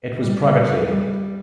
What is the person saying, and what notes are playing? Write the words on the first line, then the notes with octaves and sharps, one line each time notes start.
It was privately owned.
G3
G3